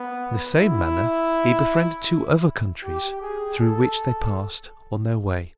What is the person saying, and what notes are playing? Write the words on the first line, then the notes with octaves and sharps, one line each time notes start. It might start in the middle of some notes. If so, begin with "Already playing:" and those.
In the same manner he befriended two other countries through which they passed on their way.
Already playing: B3
E4
G4
G#4
A4